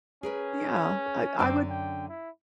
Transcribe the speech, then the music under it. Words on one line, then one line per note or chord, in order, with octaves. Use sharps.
Yeah, I I would
C#4 G#4 A#4 B4
F#2 D3 C4 D5
G5
E4